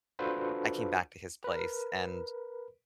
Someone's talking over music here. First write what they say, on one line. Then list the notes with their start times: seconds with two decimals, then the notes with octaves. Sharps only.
I came back to his place, and
0.19 D4 F4 F#4 A4 B4 C5
1.44 A#4 B4